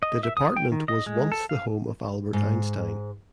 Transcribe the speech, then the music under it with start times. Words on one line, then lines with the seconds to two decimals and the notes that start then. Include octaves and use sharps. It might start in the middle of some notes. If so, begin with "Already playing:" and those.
The department was once the home of Albert Einstein.
0.03 D#5
0.23 E5
0.37 D#6
0.57 G5
0.72 D#3
0.88 D#5
1.06 G#3
1.32 A4
1.49 F5
2.33 G#2